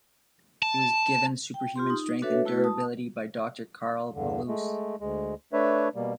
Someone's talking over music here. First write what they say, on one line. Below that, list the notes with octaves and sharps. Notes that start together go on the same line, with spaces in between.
He was given superhuman strength and durability by Doctor Karl Malus.
A5
G5
F4 G4 C6
D#4
D4 F#4 A4 B4 C#5 E5
A3 E4 F#4 B4
A5 D#6
E2 G2 D3
G#3 A3
D2 G#3
A3 D4 B4 C#5 E5
B2 G3 A#3